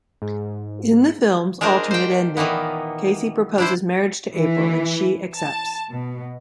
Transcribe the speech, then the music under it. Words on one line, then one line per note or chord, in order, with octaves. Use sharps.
In the film's alternate ending, Casey proposes marriage to April and she accepts.
G#2
G#3 D4 F4 A#4 C5
C5 G5
A#2 D#3 E3 A#3 B3
D4 E4 C5
E3
A5
B2